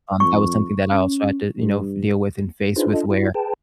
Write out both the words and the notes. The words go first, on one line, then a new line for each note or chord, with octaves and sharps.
um, that was something that I also had to, you know, deal with and face with where,
F2 C#6
C#4
G2
D4 D#4 F4 G#4 B4 C5
D4 F4 A4 D#5
E4 F#4
G#4 B4 G5 A5